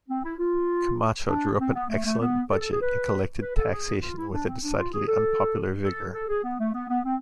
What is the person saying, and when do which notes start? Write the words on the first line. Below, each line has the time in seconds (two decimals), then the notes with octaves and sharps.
Camacho drew up an excellent budget and collected taxation with a decidedly unpopular vigour.
0.09 C4
0.24 E4
0.38 F4
1.29 D4
1.60 C4
1.74 B3
1.89 A3
2.05 A3
2.20 B3
2.50 A4
2.60 A4
2.71 G#4
2.81 B4
3.41 B4
3.56 A4
3.71 G#4
4.02 F4
4.17 E4
4.32 D4
4.46 C4
4.63 D4
4.78 F4
4.93 G#4
5.08 A4
5.84 A4
6.14 A4
6.28 G#4
6.44 B3
6.60 A3
6.74 B3
6.89 B3
7.05 C4